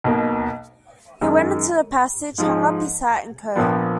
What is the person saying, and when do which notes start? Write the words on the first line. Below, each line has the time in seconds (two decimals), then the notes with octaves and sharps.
He went into the passage, hung up his hat and coat.
0.04 B1 B2 A#3
1.21 F#2 D#3 G#3
2.38 G#2 F3 G#3 D#4
3.55 A#1 A#2 F3 B3